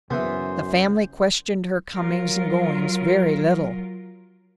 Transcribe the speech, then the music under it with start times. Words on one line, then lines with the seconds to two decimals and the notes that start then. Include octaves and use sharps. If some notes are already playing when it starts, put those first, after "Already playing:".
The family questioned her comings and goings very little.
0.10 F#2 C#3 E3 B3 C5
1.94 F#3 F4 A#4